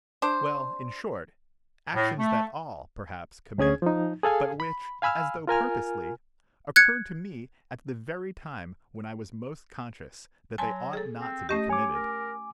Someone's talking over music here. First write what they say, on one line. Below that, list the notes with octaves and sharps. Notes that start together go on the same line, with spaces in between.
Well, in short, actions that all, perhaps, commit; but which, as though purposely, occurred to me at the very time when I was most conscious that they ought not to be committed.
D4 C5
A2
A3
D2 C#4 G#4 G#6
F3 D#4
G#4 A4 F5 G#5
B5
F5 G#5 B5 E6 F6
F4 A#4 G#5 F6
F#6 G#6 C#7
F#3 G#5 A5 C6
G#4 A4
C4
A3 C#4 G4 D#5
C#5 G#5 D6
A#4